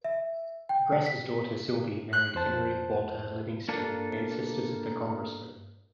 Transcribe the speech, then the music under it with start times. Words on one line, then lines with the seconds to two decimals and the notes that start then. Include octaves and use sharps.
De Grasse's daughter, Sylvie, married Henry Walter Livingston, ancestors of the Congressman.
0.04 E5
0.69 G5
1.06 B6
2.13 F#6 G6
2.35 F2 C5 A5
3.69 A#3 D4 F4 A4